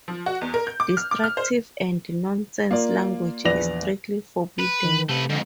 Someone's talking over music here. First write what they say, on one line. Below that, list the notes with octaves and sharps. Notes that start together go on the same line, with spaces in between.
Destructive and nonsense language is strictly forbidden.
F3
F#4
E2
A#4
G6
D6
F6
D6
F6
C5
A#3 F4 D5
A#1 E2 B4 D5 A#6 F7
B4
D#3
C3 A3 B4
F2 G#2 D3